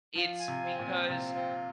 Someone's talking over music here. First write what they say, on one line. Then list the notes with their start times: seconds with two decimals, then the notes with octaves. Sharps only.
it's because
0.15 F3 F4
0.39 G#5
0.48 C3
0.63 C4
0.79 A#2
0.87 C4
1.10 C3 F4
1.35 C4